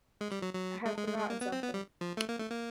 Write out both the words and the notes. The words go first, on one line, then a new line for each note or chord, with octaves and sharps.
I have forgotten something.
G#3
G3
F#3
F#3
G#3
G#3
G#3
G#3
A#3
B3
C4
B3
G3
F3
A3
A#3
A3
A#3